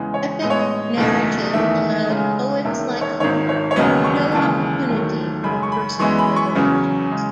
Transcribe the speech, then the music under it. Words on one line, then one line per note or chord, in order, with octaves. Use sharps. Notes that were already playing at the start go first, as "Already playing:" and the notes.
Epic narrative allowed poets like Homer no opportunity for personal revelations.
Already playing: E2 C#3 E3 G#3
C#5
A2 G#3 B3 D#5
C#5
D#5
F#1 E2 B2 A3 D#4
E2 D#3 A3 E5
C#2 C#3 G#3 C#4
E1 D#2 D#3 E5
C#5
G#1 G#2 D#3 C#5
C#5
C#5
E1 D#2 C#3 F#3 B3 D#5
C#6
D#2 C#3 E3 G#3 A5
E1 D#2 D#3 F#3 A3
F#2 C#3 G#3 B5
C#6
B5
F#2 E3 G#3 B3 E4 C#6
B5
C#6
E2 C#3 F#3 C#4
C#3 G#3